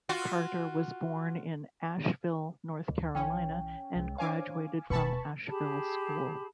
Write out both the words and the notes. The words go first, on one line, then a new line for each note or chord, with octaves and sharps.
Carter was born in Asheville, North Carolina and graduated from Asheville School.
F4 F#4
D2
B1 E3 C#4 G5
C2 G#3
D4 C5 C#5 F5 G#5 D6
E1 B4 F#5 G#5 A5 B5 C#6
G4 G#4 A5 B5